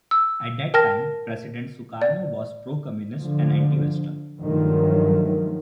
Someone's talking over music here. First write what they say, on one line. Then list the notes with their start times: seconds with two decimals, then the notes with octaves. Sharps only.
At that time, President Sukarno was pro-Communist and anti-Western.
0.11 E6
0.74 A#4 G5 A5 F6 A#6
2.02 D5
3.19 D3 F3
4.41 G2 D#3 F3 F#3 A3